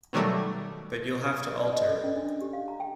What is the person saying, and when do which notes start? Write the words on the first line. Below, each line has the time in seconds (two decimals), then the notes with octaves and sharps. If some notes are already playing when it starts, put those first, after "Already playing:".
But you’ll have to alter.
0.13 B2 D#3 F#3 G3 A3
1.60 D5
1.73 D#5
1.88 A4
2.04 C#4
2.16 D4
2.41 G4
2.53 F5
2.68 A#5
2.80 G5